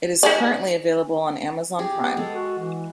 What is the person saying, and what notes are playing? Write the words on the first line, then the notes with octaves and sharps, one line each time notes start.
It is currently available on Amazon Prime.
D#4 G#4 D5
G4 G#4
B3
G#3 A4
F#4
E3